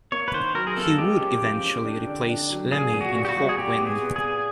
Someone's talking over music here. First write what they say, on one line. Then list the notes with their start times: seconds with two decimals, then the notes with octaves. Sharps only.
He would eventually replace Lemmy in Hawkwind.
0.12 A#3 C#5
0.28 B4
0.34 D#3 C5
0.55 F#3 A#4
0.67 G#4
0.76 A#3 A4
0.98 G#3 G4
1.20 C#4
1.42 F3
1.64 C#4
1.85 D4
2.07 D3
2.29 D4
2.50 F#3
2.72 A#2 G#4
2.93 A#2
3.01 F#4
3.15 A#2
3.25 G4
3.29 F#4
3.37 G3
3.49 G#4
3.58 A#2 G4
3.80 B3
3.87 G#4
4.01 B3
4.16 G#4
4.23 B3